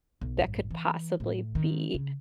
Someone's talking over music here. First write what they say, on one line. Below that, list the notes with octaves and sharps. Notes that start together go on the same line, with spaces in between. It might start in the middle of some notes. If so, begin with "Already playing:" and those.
that could possibly be"
B1
A1 G2
E3
A2
D#3
C#3